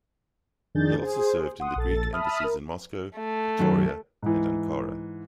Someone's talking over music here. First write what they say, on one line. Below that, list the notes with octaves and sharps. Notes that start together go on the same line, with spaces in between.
He also served in the Greek embassies in Moscow, Pretoria and Ankara.
F2 D#3 D4 G#4 G6 A6
G#4 C5
F#5 C6 D#6
A#1 A4 A6
E5 A5 B5 D#6 F6
A#4
A3
F#2 D#3 F#3
G#2 E3